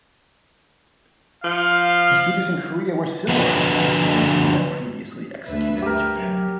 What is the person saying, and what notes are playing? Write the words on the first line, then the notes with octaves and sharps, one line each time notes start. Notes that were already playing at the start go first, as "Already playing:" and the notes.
His duties in Korea were similar to those he had previously executed in Japan.
F3 F5
D3 F3 F#4 B4 D#5 F#5
D2 B4 E5
G4 A#4
F#3